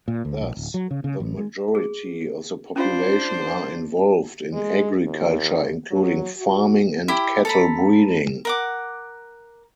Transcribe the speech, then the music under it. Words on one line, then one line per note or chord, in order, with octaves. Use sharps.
Thus, the majority of the population are involved in agriculture, including farming and cattle-breeding.
A#2
D2
A#1
D1
F#3
C#3
C#3
A1
G#3
G#4
C#4 D4 F4 C5 F5
G#3
D#2
F#3
F#4
E4 G4
A4 A#5 B5
A#4 F#5 D6